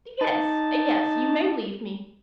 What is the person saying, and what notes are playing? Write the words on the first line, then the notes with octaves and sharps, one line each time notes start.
"Yes, yes, you may leave me."
D#4 A5